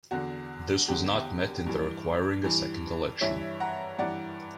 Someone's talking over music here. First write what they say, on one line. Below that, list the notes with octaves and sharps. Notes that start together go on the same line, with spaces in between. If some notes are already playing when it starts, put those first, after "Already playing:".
This was not met in the requiring a second election.
E2 D3 F#4
E2 D3 G4
G2 E3
G2 E3
G2 E3 C#5 E5
F#5 A#5
G2 E3 D5 F#5